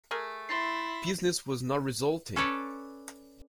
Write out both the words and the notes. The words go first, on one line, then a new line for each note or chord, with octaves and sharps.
Business was not resulting.
A3 G#4 A#4
E4 C6 A6 C7
C#4 A4 B4 C#5 D5